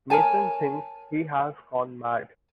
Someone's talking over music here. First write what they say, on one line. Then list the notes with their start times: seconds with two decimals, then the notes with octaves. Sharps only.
Mason thinks he has gone mad.
0.10 A#4 C#5 G#5 A5